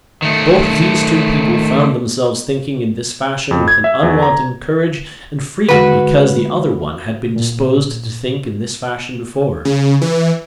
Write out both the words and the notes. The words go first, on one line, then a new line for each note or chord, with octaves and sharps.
Both these two people found themselves thinking in this fashion with an unwonted courage and freedom because the other one had been disposed to think in this fashion before.
D#3 A3
F2
G#6
E5
E2
A#5
D3 G#3 F#4 B4
A#2
C#3
E3